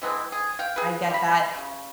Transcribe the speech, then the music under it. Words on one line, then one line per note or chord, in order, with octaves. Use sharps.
I get that.
D3 E3 G#3 C4
G#4
F5 G5
G#4 B4
G3 B5
C#3